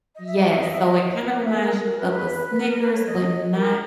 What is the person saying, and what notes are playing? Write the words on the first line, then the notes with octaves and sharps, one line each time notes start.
Yes, so it kind of reminds you of a Snickers but not
D#5
E5
D#5
E5
D#5
E5
D#5
F#5
E5
G#4
A#4
A#4
B4
B4
B4
A#4
A#4
B4
C#5
D#5
A#4